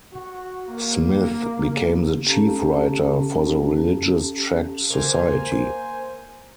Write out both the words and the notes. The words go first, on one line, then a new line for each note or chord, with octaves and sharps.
Smith became the chief writer for the Religious Tract Society.
F#4
A#3
C#4 G4 A4 F5 A5 A#5
A#3 A#4 C5 G#5